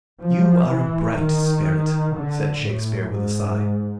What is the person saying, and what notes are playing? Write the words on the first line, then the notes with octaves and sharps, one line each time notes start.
"You are a bright spirit," said Shakespeare, with a sigh.
F3
E3
D#3
D3
A2
G#2